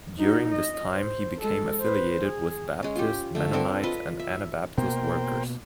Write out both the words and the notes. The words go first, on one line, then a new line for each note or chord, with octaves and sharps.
During this time he became affiliated with Baptist, Mennonite and Anabaptist workers.
D#4 F#4
D#5
C5
G#3 A4
B4 C5
G#4
G#3 C#4
F4 G4
D3 A3
C4 D4 A4 A#4
F4 B4 D#5
E5
B2 A#3 A#4 C5 G5